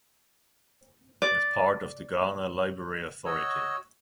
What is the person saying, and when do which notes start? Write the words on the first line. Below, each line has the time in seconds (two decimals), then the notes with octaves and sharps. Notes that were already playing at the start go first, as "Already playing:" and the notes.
It is part of the Ghana Library Authority.
1.22 D5
3.26 F#4 C#5 D#5 E6